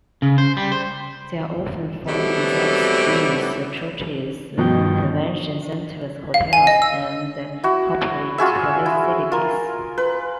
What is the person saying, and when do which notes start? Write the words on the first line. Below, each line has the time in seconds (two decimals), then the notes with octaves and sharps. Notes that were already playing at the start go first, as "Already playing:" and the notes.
They are often found inside schools, churches, convention centers, hotels, and corporate facilities.
0.22 C#3
0.38 C5
0.57 G3
0.72 C5
2.07 B2 E3 F#3 G3 A3 C4
4.58 G2 B2 D#3 F3 G5
6.34 F5
6.53 G#5
6.67 D#5
6.82 E6
7.64 E4 F#4
8.38 F4 F#4 G#4 E5
8.86 E4
9.32 F4 A#4
9.98 B4